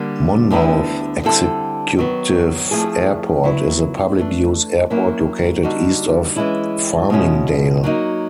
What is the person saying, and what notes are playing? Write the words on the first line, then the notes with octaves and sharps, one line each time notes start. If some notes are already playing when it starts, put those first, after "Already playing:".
Monmouth Executive Airport is a public-use airport located east of Farmingdale.
Already playing: D3 G3 A#3
D2 D3 G3 B3 E4
D3 G3 C4 E4 A4
D#3 F#3 B3
F3 A3 C4 E4 G#4
F#3 B3 E4
E3 A3 D4
F#3 A#3 C#4 E4
D3 G3 A#3 D#4 F#4
E3 G#3 C#4 E4
B2 G#3 C#4 E4
F#3 A#3 D#4